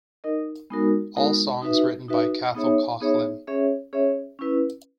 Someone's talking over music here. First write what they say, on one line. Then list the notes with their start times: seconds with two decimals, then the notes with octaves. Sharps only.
All songs written by Cathal Coughlan.
0.24 D#4 A#4 D#5
0.70 G#3 B3 D#4 F#4 A#4
1.16 G#3 B3 D#4 F#4 A#4
1.62 D#4 F#4 B4 E5
2.08 D#4 F#4 B4 E5
2.55 B3 D#4 G#4 C#5 E5
3.01 B3 D#4 G#4 C#5 E5
3.47 C#4 G#4 C#5 E5
3.93 C#4 G#4 C#5 E5
4.39 C#4 E4 B4